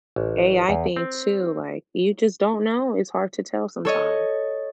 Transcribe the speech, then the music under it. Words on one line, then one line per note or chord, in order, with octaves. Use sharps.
AI thing, too, like, you just don't know. It's hard to tell sometimes.
A1
E2
C4
A4 C#5 D#5